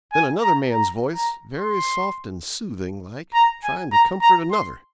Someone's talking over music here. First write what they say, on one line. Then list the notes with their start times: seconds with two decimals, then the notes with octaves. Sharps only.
Then another man's voice, very soft and soothing like, trying to comfort another.
0.12 G#5
0.42 A#5
0.72 A#5
1.15 A#5
1.58 C6
3.34 A#5
3.63 G#5
3.92 A#5
4.21 A#5
4.51 C6